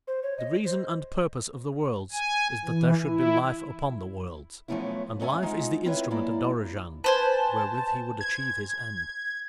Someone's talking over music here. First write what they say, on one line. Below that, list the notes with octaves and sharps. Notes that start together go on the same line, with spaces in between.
The reason and purpose of the Worlds is that there should be Life upon the Worlds, and Life is the instrument of Dorozhand wherewith he would achieve his end.
C5
C#5
D#5
C5
G#5
E3
E4
F#2 F3 A3 B3 C#4 E4
G#2 C4 C#4 D5 E5 G#5
G#3 D#4 F4 C5 F#5
C4 E4 F4 B4 C#5 E5
F#2 A#3 E4 D5
B4 C5 G#5 A5
G#6